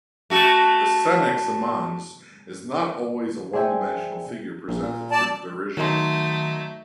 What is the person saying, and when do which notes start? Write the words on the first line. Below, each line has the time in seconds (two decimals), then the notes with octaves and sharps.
The "senex amans" is not always a one-dimensional figure presented for derision.
0.30 A3 F#4 A4
3.53 G#4 C5 D5 E5 G5 G#5
4.68 A#1
4.82 A#2
5.11 D5 A5
5.77 D#3 F#3 A3 D#4 C6